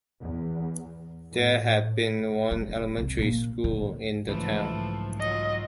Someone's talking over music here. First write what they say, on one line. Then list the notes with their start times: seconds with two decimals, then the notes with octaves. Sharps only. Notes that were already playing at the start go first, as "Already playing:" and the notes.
There had been one elementary school in the town.
0.22 E2
1.30 A2
2.51 G#3 E4
2.76 E1
2.98 C2
3.19 A#2 A#3
3.64 A#2 D3
4.27 B1 G#2 C#3 E3 F3 A3
5.20 F#3 F4 D#5